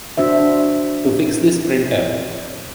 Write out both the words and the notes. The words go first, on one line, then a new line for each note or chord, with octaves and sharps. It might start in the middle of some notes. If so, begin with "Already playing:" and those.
To fix this printer.
D4 F#4 C5 E5